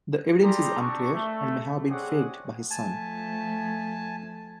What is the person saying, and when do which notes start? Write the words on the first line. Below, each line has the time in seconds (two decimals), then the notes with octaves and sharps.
The evidence is unclear, and may have been faked by his son.
0.42 G3 G4 G#4 G5 A#5 C6
0.79 C4 D4 A5 C#6
1.13 A3
1.89 G3 C4 G#4 C#5 F#5 D6
2.71 F3 A3 G#5 A5